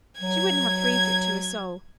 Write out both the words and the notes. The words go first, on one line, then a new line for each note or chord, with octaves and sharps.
She wouldn't have breathed it to a soul.
F#3 G#6